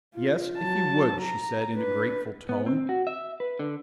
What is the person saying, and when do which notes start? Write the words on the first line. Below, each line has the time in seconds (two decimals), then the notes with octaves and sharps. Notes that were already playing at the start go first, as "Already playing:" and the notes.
"Yes, if you would," she said in a grateful tone.
0.14 F4
0.57 F#3 A5
1.21 A#5
1.75 D4 B4
2.49 B3
2.66 C4
2.89 F#4
3.07 E5
3.40 B4
3.59 D3